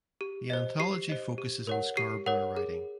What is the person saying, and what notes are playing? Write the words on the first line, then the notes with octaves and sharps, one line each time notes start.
The anthology focuses on Scarborough writing.
G4
C5 D#5
G4 C7
C5 D#5
G4
A#4 C#5 F#5
G4 C7
A#4 C#5 F#5
G#4